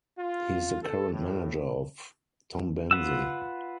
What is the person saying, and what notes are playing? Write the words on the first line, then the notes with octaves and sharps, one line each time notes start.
He is the current manager of Tombense.
F4
A4
A2
F4 B4 F#5 E6